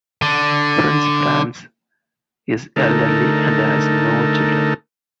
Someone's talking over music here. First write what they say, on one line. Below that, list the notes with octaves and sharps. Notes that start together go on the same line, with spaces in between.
Prince Franz is elderly and has no children.
D3
D3 A3 D#4 A4 A#4